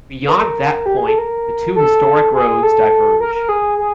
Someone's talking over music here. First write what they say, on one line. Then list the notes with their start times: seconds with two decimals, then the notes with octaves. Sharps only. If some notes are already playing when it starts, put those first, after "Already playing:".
Beyond that point, the two historic roads diverge.
0.28 B4
0.32 A#4
0.86 G4
0.97 G#4
1.08 A4
1.18 A#4
1.76 A4
2.34 G#4
2.63 A4
3.20 A#4
3.35 A#4
3.49 G#4
3.78 G#4